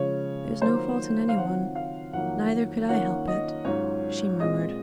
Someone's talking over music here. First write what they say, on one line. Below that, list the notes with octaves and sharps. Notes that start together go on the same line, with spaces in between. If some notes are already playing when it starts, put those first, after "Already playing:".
"There is no fault in any one; neither could I help it," she murmured.
Already playing: C#3 F3 G#3 C#4 C#5
D#3 F#3 A#3 F4 C5
F5
D#3 F#3 C4 F4 F#5
F5
F2 D#3 F#3 A#3 F#5
D#3 A#3 C#4 F4 F#5
D#5
G#2 F#3 C#4 F4 C#5
A#2 G#3 C4 D#5